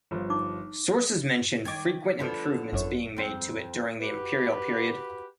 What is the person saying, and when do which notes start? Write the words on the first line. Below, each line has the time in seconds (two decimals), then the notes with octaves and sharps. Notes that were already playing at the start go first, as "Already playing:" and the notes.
Sources mention frequent improvements being made to it during the imperial period.
0.11 G1 F3
0.30 D#4 D6
1.65 D#3 D#5 D6 G#6
2.19 D3 F3 B3
2.72 G#1 F#2 C#5
3.17 F2 C4
4.00 F#4 G4 B4